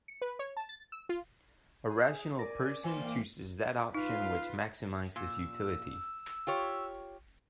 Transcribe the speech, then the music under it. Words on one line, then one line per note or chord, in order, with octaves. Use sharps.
A rational person chooses that option which maximizes utility.
C#7
B4
C#5
A5
A6
E6
F4
G#4
A#4 D5 G#5 A#6
E3 A#3 C5 F5 G5 G#5 C6
D#4 F4 B4 F5
A#2 E6
F4 G4 C#5